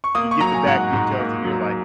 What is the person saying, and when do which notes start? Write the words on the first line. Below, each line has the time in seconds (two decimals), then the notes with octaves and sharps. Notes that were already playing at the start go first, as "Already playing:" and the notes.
you get the back details and you're like,
0.04 C#6
0.15 A#3 D#6
0.31 C#6
0.41 F#3 A#5
0.54 G#5
0.66 G#2 F#5
0.93 G#2
1.19 A#3
1.44 F#3